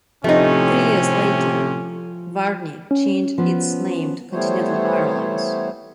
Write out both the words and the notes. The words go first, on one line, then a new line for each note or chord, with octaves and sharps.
Three years later Varney changed its names to Continental Airlines.
A2 C3 F3 A3 C#4 D#4
C#4
F3 B3
E3 G3 A3 B3 C5 C#5